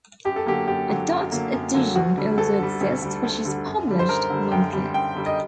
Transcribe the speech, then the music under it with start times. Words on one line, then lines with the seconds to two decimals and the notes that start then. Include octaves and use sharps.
A Dutch edition also exists which is published monthly.
0.25 F#2 G4
0.36 A4
0.46 D3 F#3 A#3 G4
0.67 F#2 G4
0.89 D3 F#3 A#3
1.10 F#2
1.31 D3 F#3 A#3
1.53 F#2
1.74 D3 F#3 A#3
1.95 D2 F#4
2.17 D3 G3
2.38 D2 A4
2.59 D3 G3
2.81 D2
3.02 D3 G3
3.23 D2
3.45 D3 G3
3.66 F#2
3.87 D3 G3
3.99 C5
4.09 F#2 A#4
4.30 D3 G3
4.51 F#2 G5
4.73 D3 G3
4.94 F#2 G5
5.15 D3 G3
5.26 D#5